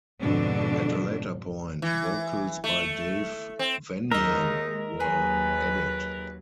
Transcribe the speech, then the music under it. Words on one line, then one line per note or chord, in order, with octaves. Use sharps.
At a later point, vocals by Dave Vanian were added.
F2 G#2 B2 D3 D4
E3
A3
C4
D#2 G#3 D#4 A#4 D#5 E5
D#2 F#3 G#4 B4